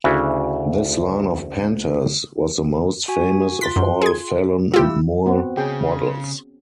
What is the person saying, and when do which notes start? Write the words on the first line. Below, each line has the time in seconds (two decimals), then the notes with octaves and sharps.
This line of Panthers was the most famous of all Phelon and Moore models.
0.04 D2 C#3 D4 E4 F#4 G#5
3.08 F#4 G#5
3.61 F4 C6 A6 B6
3.76 F#2
4.02 G#4 G#6
4.74 A3 E4 F4 G4 E6
5.26 B3 C4 F#4
5.57 C#3 C#4 G#4 G5